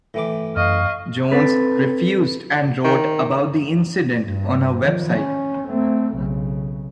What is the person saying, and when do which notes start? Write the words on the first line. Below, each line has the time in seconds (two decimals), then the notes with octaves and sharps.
Jones refused and wrote about the incident on her website.
0.14 A2 E3 D6
0.56 F#2 D#5 F5 C#6 F6
1.32 C4 A4 B4
2.85 D#3
4.22 G2
4.84 D#3 F3
5.14 C#4
5.66 A3 C4
6.15 B1 C#3